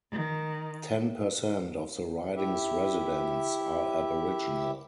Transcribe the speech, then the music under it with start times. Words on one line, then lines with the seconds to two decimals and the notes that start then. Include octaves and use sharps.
Ten per cent of the riding's residents are aboriginal.
0.11 D#3
2.36 E4 G4 E5